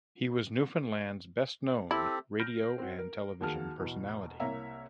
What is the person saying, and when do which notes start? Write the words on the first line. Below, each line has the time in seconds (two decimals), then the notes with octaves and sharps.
He was Newfoundland's best known radio and television personality.
1.91 C4 E4 G4 A4
2.40 F6 G6 A#6 D7
2.78 C4 F#4
2.99 A#4
3.41 D#2 A#3 F#4 G#4 A5 F6
3.79 E2 B2
4.40 C2 A#3 C#5 E5 A#5